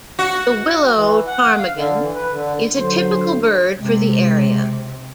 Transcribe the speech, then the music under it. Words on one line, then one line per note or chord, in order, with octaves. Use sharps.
The willow ptarmigan is a typical bird for the area.
F#4
E3
F#5
F5
D3
E3
B4
D3
D3 F#3 C5
C3 G#3